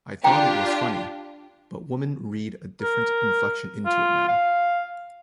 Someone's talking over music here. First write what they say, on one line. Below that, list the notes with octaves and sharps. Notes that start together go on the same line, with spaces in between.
I thought it was funny, but women read a different inflection into it now.
D4 F4 G4 G5 A#5
A#4
F4
F5